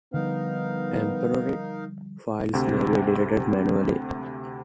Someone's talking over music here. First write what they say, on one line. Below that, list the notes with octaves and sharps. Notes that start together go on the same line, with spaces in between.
Temporary files may be deleted manually.
D3 F3 G3 B3 D#4 A#4 F5
D2 C3